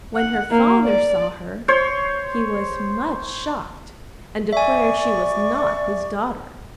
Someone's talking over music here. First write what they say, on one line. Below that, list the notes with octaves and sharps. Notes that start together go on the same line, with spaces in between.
When her father saw her, he was much shocked and declared she was not his daughter.
F#5
A#3
D5
C5 C#5
D5 E5 G#5 C#6